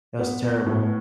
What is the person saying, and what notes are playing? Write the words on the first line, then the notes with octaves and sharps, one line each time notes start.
it was terrible.
B3
B3
A2